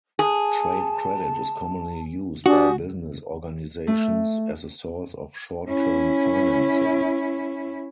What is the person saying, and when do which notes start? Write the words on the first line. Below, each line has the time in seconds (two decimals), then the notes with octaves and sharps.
Trade credit is commonly used by business organisations as a source of short-term financing.
0.19 G#4 A5
2.46 D4 F#4 G4 G#5 D#6
3.87 A3
5.68 C#4 E4